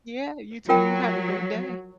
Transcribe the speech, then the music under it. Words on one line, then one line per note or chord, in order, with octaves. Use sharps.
Yeah, you too, you have a great day.
F#3 F4 A#4 G5